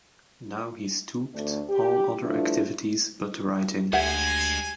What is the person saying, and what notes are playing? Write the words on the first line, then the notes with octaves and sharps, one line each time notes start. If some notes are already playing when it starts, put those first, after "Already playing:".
Now he stooped all other activities but writing.
D2 A3 D4
G4
G2 F3 A3 D4 E4 F4
D2 G#3 C4 G4 E5 F#5 G#5